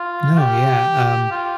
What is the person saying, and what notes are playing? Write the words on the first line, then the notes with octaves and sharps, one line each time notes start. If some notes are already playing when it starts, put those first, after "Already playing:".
No, yeah, um,
Already playing: F4
G4
F4